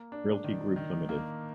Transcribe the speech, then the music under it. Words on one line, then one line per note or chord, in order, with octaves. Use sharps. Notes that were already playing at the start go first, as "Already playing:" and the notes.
Realty Group Limited.
Already playing: A#3
D4
D#3
D#3
A#3